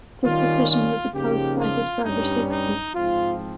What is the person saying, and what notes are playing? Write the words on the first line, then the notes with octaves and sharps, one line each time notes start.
This decision was opposed by his brother Sixtus.
D#3 G3 C#4 F4
F4
C#3 F3 A#3 D#4 G4
F4
G2 G3 C#4 D#4
D#4
G#2 F3 C4 F4